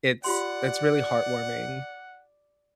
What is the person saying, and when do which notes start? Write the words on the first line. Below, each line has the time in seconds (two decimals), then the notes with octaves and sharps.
it's it's really heartwarming.
0.24 F4 G4 D5 F#5 C6